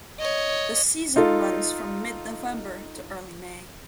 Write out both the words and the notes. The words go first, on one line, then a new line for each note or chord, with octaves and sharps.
The season runs from mid-November to early May.
C#5 D#5
D#4 F4 A4